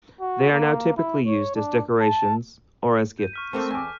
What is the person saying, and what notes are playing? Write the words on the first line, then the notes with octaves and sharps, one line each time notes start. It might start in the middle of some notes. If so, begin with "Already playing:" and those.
They are now typically used as decorations, or as gifts.
F#4
A#3
E4
C#5
D4
A5
G6 D#7
C#6 F6 B6
A3 A#3 C4 A4 C5
E2 G#5 D6